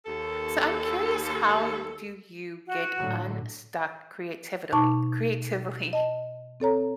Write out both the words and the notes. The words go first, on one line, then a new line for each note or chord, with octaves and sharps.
So I'm curious how do you get unstuck creatively- creatively
D#2 A4
F#4
A2 D3 F#3
B2 D#4 A5 C#6 D6
D#5 A5
C4 A4 C#5 A#5